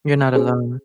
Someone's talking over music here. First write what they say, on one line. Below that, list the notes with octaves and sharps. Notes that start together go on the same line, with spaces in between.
You're not alone.
C#4 G#4 C5